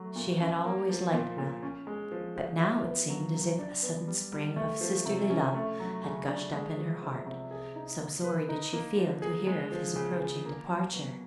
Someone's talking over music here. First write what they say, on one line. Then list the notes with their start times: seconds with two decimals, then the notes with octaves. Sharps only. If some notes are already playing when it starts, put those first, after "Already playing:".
She had always liked Will; but now it seemed as if a sudden spring of sisterly love had gushed up in her heart, so sorry did she feel to hear of his approaching departure.
Already playing: F#3 A3
0.16 A#2
0.40 C#4
0.65 A#3
0.89 F3
1.13 A#2
1.38 A#2
1.63 C#4
1.87 G#3
2.12 F3
2.36 F3
2.61 E4
2.85 B3
3.10 F#3
3.34 F#3
3.59 D4
3.83 B3
4.08 G3
4.33 G3
4.56 A3
4.81 F3
5.06 C3
5.30 C#4
5.54 A3
5.80 F#3
6.04 C#3
6.28 D4
6.53 G#3
6.77 F3
7.02 C3
7.27 C3
7.51 G#4
7.76 D#4
8.00 A#3
8.24 B4
8.49 D#4
8.73 A#3
8.98 F3
9.22 G#4
9.47 G#3
9.72 F3
9.96 C#3
10.20 C#3
10.45 A#3
10.70 F#3
10.93 B2